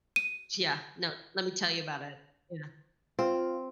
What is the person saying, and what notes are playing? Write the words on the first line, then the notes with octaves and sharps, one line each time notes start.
yeah, no, let me tell you about it, yeah.
D#7
C4 F4